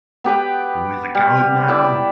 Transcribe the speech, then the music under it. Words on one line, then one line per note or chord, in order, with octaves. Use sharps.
Who is coward now?
B3 G4 B4 G5
G3
B3 E4 D5 G5